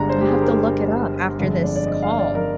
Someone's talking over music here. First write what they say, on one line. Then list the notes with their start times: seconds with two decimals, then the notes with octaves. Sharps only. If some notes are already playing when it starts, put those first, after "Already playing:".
I have to look it up after this call.
Already playing: G1 G2 D3 G#3 D4 A#5
0.09 C5
0.21 G4
0.27 G#4
0.42 A#4
1.39 G1 F2 D3 G#3
1.63 D5
1.76 D5
1.87 D#5
2.02 F5
2.19 D5
2.35 A#4